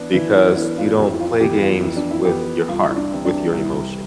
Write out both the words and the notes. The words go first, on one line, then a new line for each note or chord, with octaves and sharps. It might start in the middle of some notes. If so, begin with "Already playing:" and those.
because you don't play games with your heart, with your emotion.
Already playing: E3 B3 D4
E3 E4
E4
B3 D4 E4
F4
F2 G4
E4
F4
E3 B3 G4
F4
F2 E4
D4
E4
E3 B3 G4
C2 F4
E4
D4
C3 E3
D4
C2 E4